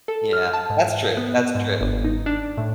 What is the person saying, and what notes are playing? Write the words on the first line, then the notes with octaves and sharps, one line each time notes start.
Yeah, that's true, that's true.
A4
F6
A5
G#2
B3
G#2
G1
D#4
D4
A2